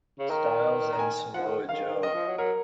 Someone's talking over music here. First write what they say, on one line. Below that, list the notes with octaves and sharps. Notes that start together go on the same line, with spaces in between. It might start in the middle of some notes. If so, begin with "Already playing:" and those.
Styles and Samoa Joe.
C#3
D#3 A#5
A#5
G#5
F3 F#5
D#3
D#3 F5
D#3 D#5
F3
F#3
F#3 A#4